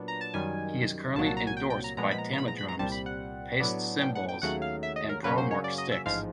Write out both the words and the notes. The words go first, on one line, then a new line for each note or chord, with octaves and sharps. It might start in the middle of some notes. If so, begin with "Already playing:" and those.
He is currently endorsed by Tama drums, Paiste cymbals and Pro-Mark sticks.
Already playing: A#2 F#3 B3 D4
A#5
A5
F#2 D#3 G3 G#5
C2 A#2 F#3 A#3 A5
A5
A#5
G#5
G5
G5
A#5
A#2 F3 G#3 B3 A#5
B5
A#5
A#5
B5
A#5
B5
A#5
C2 A#2 G3 C4 A5
B5
F#5
A2 F#3 B3 D4
G5
F#5
G5
D#2 C#3 F#3 A3 F#5
F5
E5
D#5
A#4
F#2 C#3 F#3 A#3 C#4 B4
C5
C#5
D5
D#5
E5
A1 G#2 F3 G#3 F5